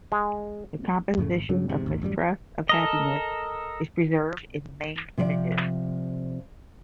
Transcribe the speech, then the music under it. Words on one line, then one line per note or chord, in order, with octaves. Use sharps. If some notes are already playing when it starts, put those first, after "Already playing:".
The composition of mistrust of happiness is preserved in the main images.
G#3
F2 A2 C#3 A3
G#1
G2 C#3 F#3
E2 G#2 C3
G#1 D2
A1 F#2 C#3 G3
A4 A#4 D#5
C3 F3 D5